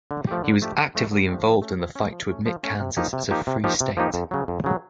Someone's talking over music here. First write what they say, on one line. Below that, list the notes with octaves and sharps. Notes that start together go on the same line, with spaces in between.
He was actively involved in the fight to admit Kansas as a free state.
D3
F3 A3 D4 G4
D3
F3 A3 D4 G4
D3
F3 A3 D4 G4
D3
F3 A3 D4 G4
F3
A3 C#4
F3
A3 C#4
F3
A3 C#4
F3
A3 C#4
C3
F3 A#3 D#4 G4
C3
F3 A#3 D#4 G4
C3
F3 A#3 D#4 G4
C3
F3 A#3 D#4 G4
F2
C#3 F#3
F2
C#3 F#3